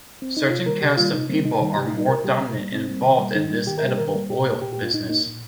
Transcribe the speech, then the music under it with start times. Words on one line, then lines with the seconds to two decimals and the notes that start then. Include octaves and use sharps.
Certain cast of people are more dominant and involved in this edible oil business.
0.22 C4
0.37 D#4
0.50 C3 F4
0.66 D#3 G3 A#3 A#4
0.81 C3 G4
0.97 D#3 G3 A#3 F4
1.13 C3 D#4
1.29 D#3 G3 A#3 C4
1.45 C3 D#4
1.61 D#3 G3 A#3
1.76 C3 G4
1.87 D#4
1.92 G3 A#3
1.98 D#4
2.08 C3 A#4
2.24 G3 A#3 G4
2.40 C3
2.56 G3 A#3
2.72 C3 C4
2.88 G3 A#3
3.04 D#3
3.19 G3 A#3
3.35 D#3 D#4
3.51 G3 A#3
3.67 D#3 G4
3.78 A#4
3.83 G3 A#3 G4
3.98 D#3 A#4
4.15 G3 A#3
4.30 A#2 G4
4.46 A#3
4.62 A#2 G4
4.73 G4
4.78 A#3
4.83 F4
4.93 A#2 D#4
5.09 A#3 D#4
5.26 A#2